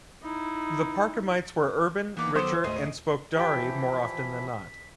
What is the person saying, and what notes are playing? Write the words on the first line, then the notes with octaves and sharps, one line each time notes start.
The Parchamites were urban, richer, and spoke Dari more often than not.
D#4 E4
E3 A#3 B3 D#4 D5 A#5
D#3 F#3 B3 A4 C5 D6 D#6
D2 G#2 A3 G#4 D#5
E3 F3 E4 G4 G5 B6